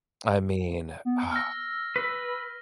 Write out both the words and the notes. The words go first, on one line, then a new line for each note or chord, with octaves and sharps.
I mean, uh
B3
E6 F6 A#6
B4